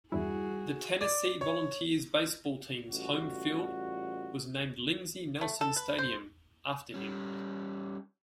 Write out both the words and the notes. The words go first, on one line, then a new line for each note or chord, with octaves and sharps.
The Tennessee Volunteers baseball team's home field was named Lindsey Nelson Stadium after him.
E2 G2 G3 E4 F#4 G#4
D5
C#5
A1 G3 F4 F#4
A3
A4
B4
C5
G3 C#4